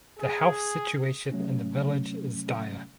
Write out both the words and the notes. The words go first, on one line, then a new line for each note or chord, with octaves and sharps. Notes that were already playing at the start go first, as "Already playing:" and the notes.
The health situation in the village is dire.
G#4
C3 F#3 A3 C#4